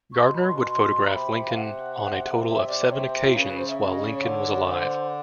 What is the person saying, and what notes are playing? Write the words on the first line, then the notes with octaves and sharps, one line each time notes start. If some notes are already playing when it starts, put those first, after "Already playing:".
Gardner would photograph Lincoln on a total of seven occasions while Lincoln was alive.
C#6
B2 C6
B5
C6
C6
C6
A#5
C3 B5
F5
F#5
E5
D5
C3 C#5
C5
F4
C#3 B4
B4
C5
E5
E5
D#5
D5
C#5
D3
C#5
C5